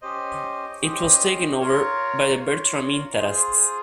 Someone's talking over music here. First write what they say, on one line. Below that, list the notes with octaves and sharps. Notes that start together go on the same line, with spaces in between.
It was taken over by the Bertram interests.
C#4 G4 C5 D#5
C#4 G4 C5 D#5
F4 A#4 C#5
F4 A#4 C#5
F4 G#4 C5